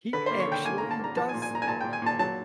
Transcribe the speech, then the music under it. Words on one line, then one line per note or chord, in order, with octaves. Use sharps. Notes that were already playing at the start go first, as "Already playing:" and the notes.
He actually does that.
D3 B4
C5
A#3
C#5
D3 G5
A#3 G#5
A#5
A#3
A5
A#3 A#5
F3 A5
G#5
A#2
G#5
A#2 A#5
G#5
A#2 A5
A#2 G5
G#5
A#2 A5
F#3 A5